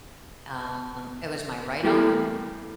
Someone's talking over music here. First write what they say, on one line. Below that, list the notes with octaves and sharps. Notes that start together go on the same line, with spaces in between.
Um, it was my right arm,
E3 G3 A3 A#3